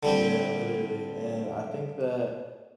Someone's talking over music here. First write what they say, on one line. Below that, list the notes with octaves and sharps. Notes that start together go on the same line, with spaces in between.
Yeah, literally, and I think that,
D3 G3 C4